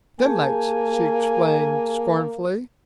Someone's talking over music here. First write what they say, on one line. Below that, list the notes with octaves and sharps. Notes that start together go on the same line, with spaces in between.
"Stim'lates," she explained scornfully.
A#3 G4 G#4 G#5 A5